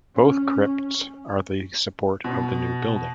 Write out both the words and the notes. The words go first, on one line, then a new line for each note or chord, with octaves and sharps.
Both crypts are the support of the new building.
C#4
B2